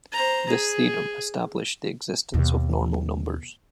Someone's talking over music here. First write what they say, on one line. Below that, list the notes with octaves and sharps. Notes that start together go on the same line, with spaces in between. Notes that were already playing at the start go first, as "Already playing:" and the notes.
This theorem established the existence of normal numbers.
C5 A#5
G#4
D#2 B2